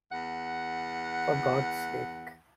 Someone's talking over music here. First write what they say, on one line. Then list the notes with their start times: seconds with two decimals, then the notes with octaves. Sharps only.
For God's sake.
0.11 E2 F#5